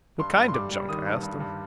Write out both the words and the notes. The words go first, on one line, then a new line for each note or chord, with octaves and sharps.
"What kind of junk?" I asked him.
G2 C6
G2
C6
G3 D6
G3
D#3 D#6
G2
G2
G2